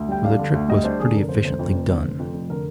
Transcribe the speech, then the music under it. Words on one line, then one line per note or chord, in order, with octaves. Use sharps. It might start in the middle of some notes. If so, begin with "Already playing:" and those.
For the trick was pretty efficiently done.
Already playing: D2
G3 G5
D4 F5
D3
D2
G3 D#5
D4 C5
D3 G#4
F1 A#4
D3 C5
F1 C5
F2
F1
D3
F1
F2
F1
D3 A#4